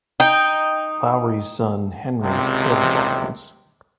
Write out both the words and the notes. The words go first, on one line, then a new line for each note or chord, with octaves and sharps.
Lowrey's son Henry killed Barnes.
D#4 G5
G#1 C#2 C3